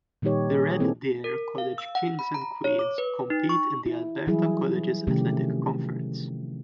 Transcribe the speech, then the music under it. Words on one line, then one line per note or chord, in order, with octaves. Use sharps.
The Red Deer College Kings and Queens compete in the Alberta Colleges Athletic Conference.
A#2 D#3 G3 D#4 G4 C#5
G#4
A#3 C4 E4 G#4 A4
A#4
F5
E6
F#5
B5
A#5
C#5
D6
B4
D#4
C#6
E4
E3 F#3 G3 E4 G#4
C3 D#3 F3 A3 C#4 G4